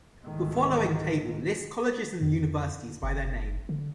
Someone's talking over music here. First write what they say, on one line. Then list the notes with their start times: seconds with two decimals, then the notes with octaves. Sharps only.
The following table lists colleges and universities by their name.
0.23 C2 G#2 D#3 E3 G#3 A3
2.21 F2
3.03 F#1
3.69 D3